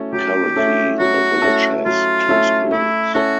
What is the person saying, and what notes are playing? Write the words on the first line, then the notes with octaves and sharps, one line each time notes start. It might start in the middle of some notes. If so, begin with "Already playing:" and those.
Currently the village has two schools.
Already playing: F#3 A3 C#4 E4 A4
F#3 G4
A3 C#4 E4 A4
F#3 F#4
A3 C#4 E4 A4
F#3 F4
A3 C#4 E4 A4
A3 E4
C#4 E4 F#4 A4